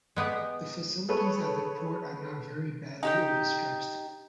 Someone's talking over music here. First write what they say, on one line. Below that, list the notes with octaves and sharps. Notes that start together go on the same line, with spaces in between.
The facilities at the port are now very badly overstretched.
G#3 B3 G4 G#4
G#4 A4 B4 C#5
D#4 G4 G5